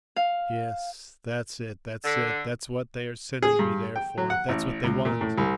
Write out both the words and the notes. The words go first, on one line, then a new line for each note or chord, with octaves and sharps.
Yes, that's it, that's it, that's what they are sending me there for, that's what they want.
F5
D3
G#4
G2
G5
F#3
F#5
A1
C#2
A#2
A2
C2